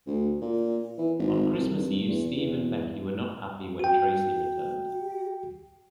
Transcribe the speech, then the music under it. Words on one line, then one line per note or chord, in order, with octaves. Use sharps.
On Christmas Eve, Steve and Becky were not happy when Tracy returned.
D2
A#2
E3
G#1
C2
G2
E2
E2
F#4 G5